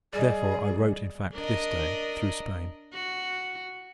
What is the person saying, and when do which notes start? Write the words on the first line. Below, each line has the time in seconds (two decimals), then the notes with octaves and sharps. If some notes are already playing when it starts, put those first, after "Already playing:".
Therefore, I wrote, in fact, this Day, through Spain.
0.13 G3 G#4 D5 D#5
1.33 D4 A#4 D#5
2.93 F#4